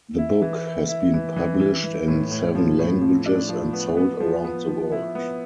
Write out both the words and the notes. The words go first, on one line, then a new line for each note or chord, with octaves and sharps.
The book has been published in seven languages and sold around the world.
E4
E3
E4
E4
E3
E3
E3
E3
A2
A2
F3
A2
F3
D4
F3
B3
B3
F3
B3
F3
E4
B3